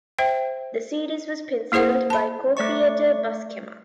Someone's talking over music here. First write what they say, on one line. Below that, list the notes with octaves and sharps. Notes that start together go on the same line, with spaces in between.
The series was penciled by co-creator Buscema.
C5 E5 G5
A#3 E4 G#4 C5 F#5
A5 B5
A3 D5 C#6